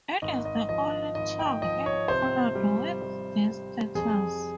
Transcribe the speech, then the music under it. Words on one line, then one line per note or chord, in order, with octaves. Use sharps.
It is the only tongue in Poland with this status.
G#1 D#5
D#5
F3 D#5
G#1 D#5
G5
F3 D#5
C#5
C3 C5
G3
G3
G3
F2 G#4